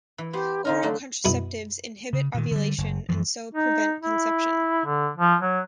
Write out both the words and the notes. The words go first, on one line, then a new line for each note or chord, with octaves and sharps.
Oral contraceptives inhibit ovulation and so prevent conception.
E3
B3 G4 C5
D3 D#4 F4 A#4
D3 F#3 A3
F#2 B2 E4 D#6
C#3
A#2 D#3
D3 G3
F#1
F#2 E3 F3
D#4
E4
D3
F3
F#3